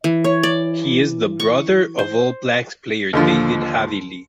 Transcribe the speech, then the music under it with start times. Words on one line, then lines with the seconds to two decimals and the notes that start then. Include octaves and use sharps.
He is the brother of All Blacks player David Havili.
0.04 E3
0.24 C#5
0.43 D5
1.40 C#6
1.99 C5
3.13 D#2 D3 F3